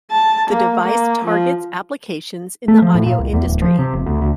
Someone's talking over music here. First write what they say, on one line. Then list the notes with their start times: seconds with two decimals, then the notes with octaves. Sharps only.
The device targets applications in the audio industry.
0.11 A5
0.51 A#3
0.83 A#3
1.25 F3
2.68 A3
2.82 F3
2.95 A2
3.06 A#2
3.20 C2
3.33 E2
3.45 D1
3.62 F3
3.79 C3
3.93 F1
4.06 D2
4.21 D2